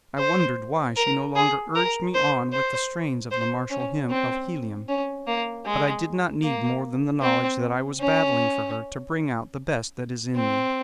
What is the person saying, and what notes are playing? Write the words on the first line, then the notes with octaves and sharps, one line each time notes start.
I wondered why she no longer urged me on with the strains of the martial hymn of Helium; but I did not need more than the knowledge that I was battling for her to bring out the best that is in me.
C5
A#4
G#4
A#4
C5
C5
C5
C#4
C4
C#4
A#3
G#3
A#3
C4
C#4
C4